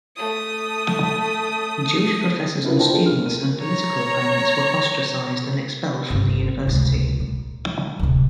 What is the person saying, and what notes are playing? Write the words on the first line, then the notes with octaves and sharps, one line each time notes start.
Jewish professors and students and political opponents were ostracized and expelled from the university.
A3 D#6
C4 D4 E4 F#4 A#4 B4
F4 C5 D5 G5 A5
D3 F4 G#4 A4
F6
A#3 D#7
C#5 A#5
G1 C3
C#2 C3
A#2
D1 C3